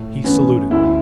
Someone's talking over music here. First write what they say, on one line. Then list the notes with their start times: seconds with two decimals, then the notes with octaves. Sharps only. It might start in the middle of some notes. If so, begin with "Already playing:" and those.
He saluted.
Already playing: A2
0.24 E3 B3 C#4
0.71 D2 E4